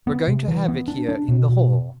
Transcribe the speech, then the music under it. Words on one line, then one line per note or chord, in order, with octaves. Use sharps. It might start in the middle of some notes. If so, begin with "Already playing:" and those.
We're going to have it here in the hall.
B3
C3
E3
B3
D4
D4
B2
B2